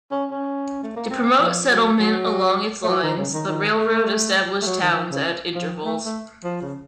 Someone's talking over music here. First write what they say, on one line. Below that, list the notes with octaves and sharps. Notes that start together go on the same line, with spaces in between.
To promote settlement along its line, the railroad established towns at intervals.
C#4
C#4
A3
A#3
C4
F3
F#3
F#3
A3
F#3
D#3
C#3
D#3
D#3
A3
A3
F#3
D#3
F3
C#3
F3
A3
A3
F3
C#3